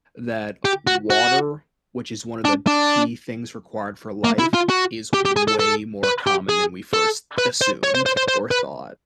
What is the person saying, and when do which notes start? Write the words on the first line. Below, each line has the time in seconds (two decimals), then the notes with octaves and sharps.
that water- which is one of the key things required for life- is way more common than we first assumed or thought.
0.65 G4
0.87 F#4
1.10 F#4
2.45 D4
2.67 D4
4.24 A#3
4.39 E4
4.54 F4
4.70 F#4
5.14 G4
5.25 G4
5.36 G#4
5.48 A4
5.59 A4
6.04 B4
6.27 G4
6.49 G#4
6.93 A4
7.38 B4
7.61 C5
7.84 C#5
7.95 C5
8.06 C5
8.17 C5
8.28 C5
8.51 B4